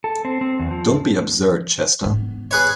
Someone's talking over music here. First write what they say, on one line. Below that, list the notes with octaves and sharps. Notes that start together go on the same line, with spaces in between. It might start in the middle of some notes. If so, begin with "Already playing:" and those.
Don't be absurd, Chester.
A4
C4
C4
E2
F3
G#2 B3
G#4 B4 C#5